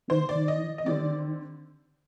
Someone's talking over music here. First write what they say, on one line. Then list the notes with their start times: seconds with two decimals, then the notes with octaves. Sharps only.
Mhm. Mhm.
0.10 C5
0.29 D5
0.48 D#5
0.78 D#5
0.86 D3 G3 C4 D5